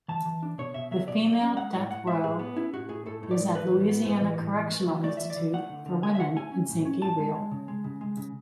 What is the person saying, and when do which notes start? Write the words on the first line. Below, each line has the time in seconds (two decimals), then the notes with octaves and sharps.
The female death row is at Louisiana Correctional Institute for Women in Saint Gabriel.
0.08 E3 A5
0.25 E3
0.43 D4
0.58 B2 C#5
0.74 B2 E5
0.91 F#3 E5
1.07 B2 D5
1.24 F#3
1.41 C#4
1.57 G#3 F#5
1.73 A2 F#5
1.90 A2 F#5
2.06 G#3 E5
2.23 A2 G#4
2.39 B3
2.56 C#4 E4
2.73 A2 F#4
2.89 A2 G#4
3.06 A2 A4
3.23 A2
3.31 D5
3.39 G#3
3.55 E3 B4
3.71 A2
3.88 B3
4.05 A2
4.21 E3
4.38 A2
4.54 E3
4.70 A3
4.87 E3
5.03 A3 D5
5.17 E3 E5
5.30 D5
5.36 E3
5.53 A3 F#5
5.70 D3
5.86 D3
6.03 D3 G#5
6.15 E5
6.19 A3 F#5
6.36 A3 G#5
6.52 C#4
6.69 A2
6.85 C#4
7.02 A2 A5
7.18 G#3
7.35 G#3
7.51 C#3
7.68 G#3
7.84 C#3
8.01 G#3
8.17 C#3